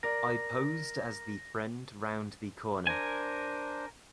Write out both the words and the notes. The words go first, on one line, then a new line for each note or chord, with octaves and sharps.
I posed as the friend round the corner.
A#4 D5 A#6
D4 A#4 C5 G#5